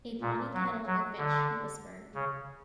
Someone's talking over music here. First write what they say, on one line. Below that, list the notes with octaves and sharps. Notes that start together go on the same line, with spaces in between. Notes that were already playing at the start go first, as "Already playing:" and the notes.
"A bonny kettle o' fish," he whispered.
A#2
F#3
F#3
D3
C#3